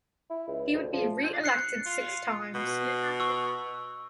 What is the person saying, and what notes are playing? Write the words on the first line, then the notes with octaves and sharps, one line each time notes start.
He would be re-elected six times.
E4
C#2
D2
F3
F#6 C7 C#7
F4
B2
C#6 E6